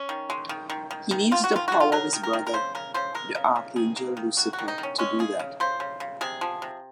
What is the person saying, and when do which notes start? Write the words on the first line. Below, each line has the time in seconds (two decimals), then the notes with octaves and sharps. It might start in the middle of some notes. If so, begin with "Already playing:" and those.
He needs the power of his brother, the Archangel Lucifer to do that.
Already playing: C#4
0.09 D#3
0.30 G#3
0.49 D#3
0.70 D#3
0.91 D#3
1.11 D#3
1.31 D#3 F4
1.44 F#4
1.52 D#3 F4
1.68 D#3 F#4
1.80 F4
1.92 F#3 A#4
2.13 D#3
2.23 A#4
2.33 D#3
2.47 A#4
2.54 C#3 C5
2.75 C#3 A#4
2.94 C#3 C5
3.14 G#3 A#4
3.35 C#3
3.56 C#3
3.76 D#3 G#4
3.96 A#3
4.17 D#3
4.37 D#3 F#4
4.53 F#4
4.59 D#3
4.68 D#4
4.78 D#3
4.83 C#4
4.99 G#3 C#4
5.19 C#3 G#4
5.39 C#3
5.60 C#3 C5
5.80 C#3
6.00 C#3
6.21 C3 G#4
6.41 F3
6.62 C3